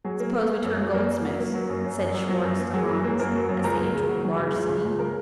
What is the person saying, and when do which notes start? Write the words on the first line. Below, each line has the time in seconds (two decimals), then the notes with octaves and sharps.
"Suppose we turn goldsmiths?" said Schwartz to Hans, as they entered the large city.
0.04 F#3 G#4
0.20 A#3
0.34 A#3
0.49 A#3
0.64 F#2
0.80 F#3
0.94 F#2 A#3 A#4
1.09 A#3
1.25 F#3
1.39 A#3
1.54 F#3
1.69 F#2
1.84 F#2
1.99 F#2
2.14 F#2
2.29 F#3
2.44 F#2
2.59 A#3
2.74 F#3 G#4
2.89 F#2
3.04 A#3
3.19 F#2 A#3 A#4
3.35 F#3
3.49 F#2
3.64 C#2 A#4 A#5
3.80 A#3
3.94 C#3
4.09 F#3
4.24 F#3
4.39 C#3
4.55 C#2
4.69 C#3
4.85 C#2
4.99 C#3 A#4 A#5